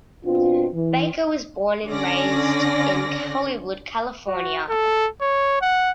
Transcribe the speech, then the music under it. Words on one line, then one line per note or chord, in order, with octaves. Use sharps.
Baker was born and raised in Hollywood, California.
B2 C4 D4 F4
E3
D3 C#4 D5 A#6
F#4
A4
C#5
F#5